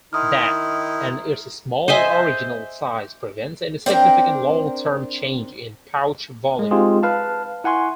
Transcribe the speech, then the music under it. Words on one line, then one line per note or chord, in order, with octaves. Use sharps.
That, and its small original size, prevents any significant long-term change in pouch volume.
D#3 D#4 E4 C6 D#6 F6
C5 D#5 E5 G#5
C4 D4 A#4 G5
G#3
G#3 C4 D#4 F4 G4 G#4
B4 F5 A5
E4 F#5 G#5 C6 C#6